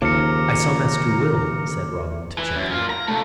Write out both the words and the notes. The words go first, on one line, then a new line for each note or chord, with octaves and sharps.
"I saw Master Will," said Robin, to check him.
D#2 C#3 F3 A#5 D6 F6 C#7
E3
F#2
F4 A#4
A#5
C3 A3